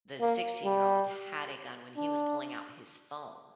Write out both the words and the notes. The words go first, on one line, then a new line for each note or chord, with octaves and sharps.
the sixteen-year-old had a gun when he was pulling out his phone.
A#3
G3
D4